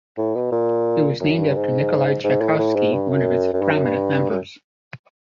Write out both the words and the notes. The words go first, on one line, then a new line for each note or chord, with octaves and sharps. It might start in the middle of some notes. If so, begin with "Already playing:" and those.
It was named after Nikolai Tchaikovsky, one of its prominent members.
A2
B2
A#2
F#2
G2
G#2
G#2
A2
A2
G#2
G2
F#2
F#2
G2
F#2
G2
F#2